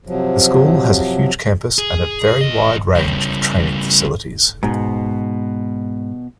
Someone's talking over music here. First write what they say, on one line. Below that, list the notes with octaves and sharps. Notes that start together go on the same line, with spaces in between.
The school has a huge campus and a very wide range of training facilities.
C3 F3 F#3
G#4
E2 D#5
C#3 G3
G#2 B2